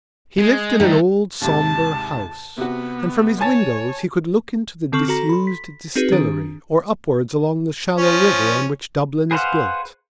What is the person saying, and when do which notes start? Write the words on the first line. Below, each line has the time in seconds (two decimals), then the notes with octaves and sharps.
He lived in an old sombre house and from his windows he could look into the disused distillery or upwards along the shallow river on which Dublin is built.
0.38 G#3
0.80 D3 G3 A3 D#4
1.41 D#2 G#2 C3 A5
2.58 C3 B3 F#4
3.41 C#5 G#5 A5 A6
4.92 D3 C4 A4 C#6 F6 F#7
5.08 F#4 A4 A#5 A#6
5.29 B5 C6
5.47 B6
5.96 C4 D#4 F#4 G#4 B4
6.12 D#3 D4
7.97 F3 C#4
9.31 G#4 B4 C5 F5 F#5